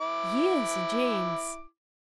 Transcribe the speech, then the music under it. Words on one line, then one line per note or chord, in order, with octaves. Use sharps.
Yes, James.
E4 D6